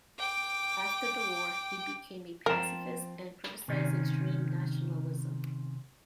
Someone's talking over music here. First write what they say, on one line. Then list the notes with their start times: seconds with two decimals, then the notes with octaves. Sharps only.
After the war he became a pacifist and criticized extreme nationalism.
0.18 G5 D6
2.46 F3 C4 A#4 A5
3.68 C3 D#3 C#4